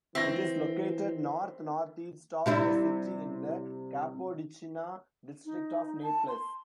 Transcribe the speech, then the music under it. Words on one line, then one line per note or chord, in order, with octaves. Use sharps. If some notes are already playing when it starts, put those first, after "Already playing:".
It is located north-northeast of the city in the Capodichino district of Naples.
E3 C4 E5 A#6
C3 G3 E4
D#4
A5
C6